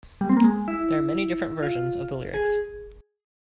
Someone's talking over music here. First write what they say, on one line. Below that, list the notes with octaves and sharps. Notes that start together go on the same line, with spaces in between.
There are many different versions of the lyrics.
G3
C4
A#3
G#3
E4
F4
G#4